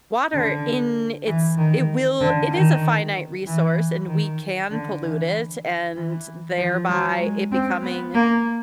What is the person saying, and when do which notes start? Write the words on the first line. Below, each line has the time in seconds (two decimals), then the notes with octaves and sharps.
water in it's it will it is a finite resource, and we can pollute it, and thereby it becoming
0.34 D3
1.27 E3
1.58 D#3
2.21 D3
2.52 D#3
3.46 E3
4.07 D#3
4.71 D3
5.02 E3
5.95 E3
6.58 F3
6.89 F#3
7.20 G#3
7.51 C4
7.83 B3
8.15 A#3